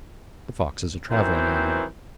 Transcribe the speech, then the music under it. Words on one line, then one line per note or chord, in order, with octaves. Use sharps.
The fox is a travelling animal.
D#3 E3 F#3 C4 C5